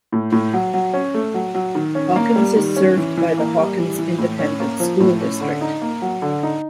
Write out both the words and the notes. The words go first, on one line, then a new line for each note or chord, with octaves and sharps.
Hawkins is served by the Hawkins Independent School District.
A2
A2
F#3
F#3
C#4
A3
F#3
F#3
D#3
C#4
A#3
G3
D#3
C#4
E3
E3
A#3
G3
E3
E3
A2
C#4
A#3
F3
A2
C#4
D3
D#4
A#3
F#3
D3
D#4